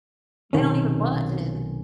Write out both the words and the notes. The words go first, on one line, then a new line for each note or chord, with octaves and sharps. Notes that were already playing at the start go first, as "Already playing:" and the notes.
they don't even button."
B1 C3 D#3 C#4